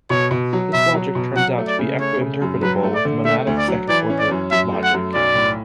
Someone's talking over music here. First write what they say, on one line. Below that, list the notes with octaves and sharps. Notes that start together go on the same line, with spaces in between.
This logic turns out to be equi-interpretable with monadic second order logic.
B2 C#5
B2
F#3
B2 E5
F#3
B2
F#3 F#5
A3
D5
C#3
A3 C#5
C#3
F#2
F#3 B4
A3
D5
D3
A3 E5
D2
D5
F#3
E3 D5
C#4
D5
F#2
F#2 E5
A3
F#5
F#2
B1 D5
A2